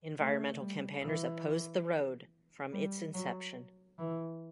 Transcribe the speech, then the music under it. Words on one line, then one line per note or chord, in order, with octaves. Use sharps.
Environmental campaigners opposed the road, from its inception.
A3
G3
E3
G3
F#3
E3